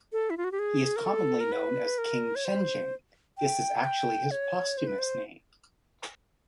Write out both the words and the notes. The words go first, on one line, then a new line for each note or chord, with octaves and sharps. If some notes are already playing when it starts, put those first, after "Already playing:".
He is commonly known as King Shenjing; this was actually his posthumous name.
A4
E4
F4
F#4
G4
G#4
A#4
A4
A#4
B4
A#4
C#5
C5
G5
G5
C#5
C5
B4
C5